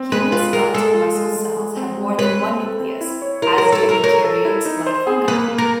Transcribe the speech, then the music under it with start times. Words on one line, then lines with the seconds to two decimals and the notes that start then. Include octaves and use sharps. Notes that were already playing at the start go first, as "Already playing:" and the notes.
Human skeletal muscle cells have more than one nucleus, as do eukaryotes like fungi.
Already playing: C4
0.12 G#3 B4
0.32 F4 B4
0.53 G#3 A#4
0.74 G#3 A4
0.94 F4
1.15 G#3
1.36 G#3
1.57 G#3
1.77 C4
1.98 G#3
2.18 B4 C#5
2.39 C4
2.60 A4
2.80 C4
3.01 E4
3.22 C#5
3.42 E4 A#4
3.58 A#4 C#5
3.72 A4
3.83 E4
3.89 A#4
4.04 A#4 C#5
4.24 A4
4.45 E4
4.66 D#4
4.87 C5
5.07 G#4
5.28 A#3 B4
5.48 A#3
5.58 A#4